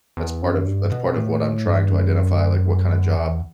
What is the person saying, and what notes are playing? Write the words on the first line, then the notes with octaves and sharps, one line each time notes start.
That's part of that's part of what I'm trying to identify, like, what kinda job
E2
F#2
G2
B2
A2
G2
F#2
E2